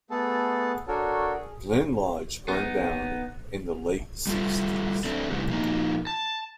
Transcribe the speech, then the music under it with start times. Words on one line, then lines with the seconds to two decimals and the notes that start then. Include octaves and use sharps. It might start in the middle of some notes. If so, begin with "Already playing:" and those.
Glen Lodge burned down in the late sixties.
0.11 A3 B3 G#4 A4 A5
0.88 D4 F#4 A4 A#4 C#5
1.34 G#4
2.48 B3 D#4
4.27 G3 A3 F4
5.05 D3 A3 C4 D4
5.31 A2 C3 E3 G3
5.48 A#2 F3 A#3 D#4
6.07 A5